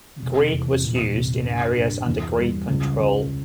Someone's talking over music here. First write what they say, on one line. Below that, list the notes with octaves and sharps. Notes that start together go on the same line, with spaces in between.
Greek was used in areas under Greek control.
F1
E2
A#2
C2
G2
G2
E2
G3
C#2
C#2